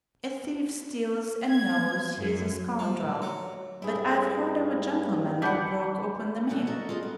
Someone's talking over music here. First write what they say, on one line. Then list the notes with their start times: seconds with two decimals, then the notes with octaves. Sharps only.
A thief steals and knows he is a scoundrel, but I've heard of a gentleman who broke open the mail.
1.49 G#6
2.17 F#2
2.79 F3
3.00 A1
3.22 F#3
3.82 G2 E4 G#4
5.42 D4 F#5 B5 G6 B6
6.49 B2 D3 F#3 A3 F#4
6.67 F#4 A4 A#4 D#5 E5
6.89 F4 G#4 D#5
7.03 B3